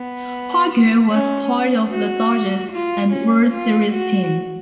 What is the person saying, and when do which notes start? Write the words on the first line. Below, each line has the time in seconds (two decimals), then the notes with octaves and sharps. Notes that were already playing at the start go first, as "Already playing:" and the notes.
Parker was part of the Dodgers' and World Series teams.
Already playing: B3
1.10 C#4
1.91 F#4
2.71 F4
3.11 C#4
3.51 F4
3.92 F#4